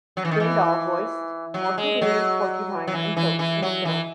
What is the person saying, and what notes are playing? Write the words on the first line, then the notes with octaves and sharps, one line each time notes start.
Dindal voiced Morkubine Porcupine and Coach in the film.
F#3
E3
D#3
E3
F#3
G#3
F#3
F#3
E3
E3
E3
F#3
E3